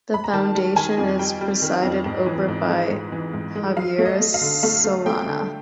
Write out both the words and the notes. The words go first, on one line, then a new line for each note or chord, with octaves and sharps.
The Foundation is presided over by Javier Solana.
B5
A#5
D#3 A5
G3
D#3 G#5
F2
G3 G5
G3
D#3
F2
G#2
E3
G#2
G#3
G#2
E3
G#2
G#3
F#3 F5
A3
D#5
A3
F5
D3
A3 F5
A3
A3 G5
D3